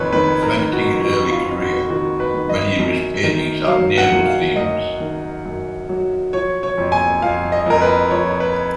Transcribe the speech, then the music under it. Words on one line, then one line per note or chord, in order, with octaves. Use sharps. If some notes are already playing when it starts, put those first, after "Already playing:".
Reflecting his early career, many of his paintings have naval themes.
Already playing: F2 D#3 B4 C#5
D#3 B4
A#4
D#3
F#4
F2 F#4
F4
F2
F#4
D#3 F#4
B4
D#3
D#5
F#2
D#3
F#3 F5
F#5
F#2
F5
F#2 D#5
D#3
F#2
F#3
F3 C#5
C#5
F2
G#5
F2 F5
D#5
F2 A#4
B4
F3 C#5
B4